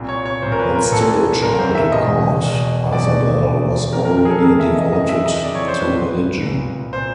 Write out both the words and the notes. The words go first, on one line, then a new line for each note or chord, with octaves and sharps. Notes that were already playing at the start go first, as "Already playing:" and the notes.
When still a child at court, Isabelle was already devoted to religion.
Already playing: C2 A#2
C#5
C#5
C2 A#2 C5
A#4
B4
A#4
C2 A#2 A4
C2 A#2 A#4
C5
E5
E2 B2 D#5
E2 B2
E2 B2 D5
E2 B2
F2 C#3 E3 A#4
A#4
A#4
G#4
A4
F2 C#3 E3 A#4
E5
D#5
F2 C#3 E3 D#5
E5
D#5
F2 C#3 E3 D5
C#5
C5
B4
C2 A#2
C2 A#2
A#2 C5